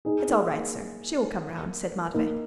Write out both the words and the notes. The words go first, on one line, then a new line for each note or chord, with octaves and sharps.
"It's all right, sir; she will come round," said Matvey.
D#4 G#4
A#3 D#4
A#3
A#3 D#4